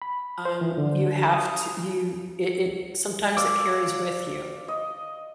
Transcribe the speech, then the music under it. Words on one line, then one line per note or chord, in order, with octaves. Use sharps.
um, you have t you it it sometimes it carries with you.
B5
C5
E3
D3
D#6
D5 F5 D6 E6
D#5